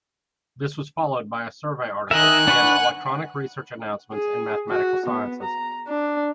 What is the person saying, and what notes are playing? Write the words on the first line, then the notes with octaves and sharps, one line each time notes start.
This was followed by a survey article in Electronic Research Announcements in Mathematical Sciences.
D#4 A#4 D#5 E5 G#5 F#6
D4 B4 F#5 C#6
G#4
F#4
B3
A#5
D4